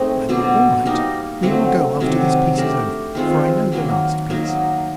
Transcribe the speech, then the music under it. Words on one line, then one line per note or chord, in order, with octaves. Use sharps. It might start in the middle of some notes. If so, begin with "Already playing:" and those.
"Well, all right; we will go after this piece is over, for I know the last piece."
Already playing: A3 C4 D#4 G#4
B2 F#3 B3 D4
G3 A#3 D#4
D3 F#3 A3 C4
C3 D#3 F#3
A3 D4 G4 A#4
D#3 G#3 C4 F4
D#3 F#3 A#3
F#3 A#3 D#4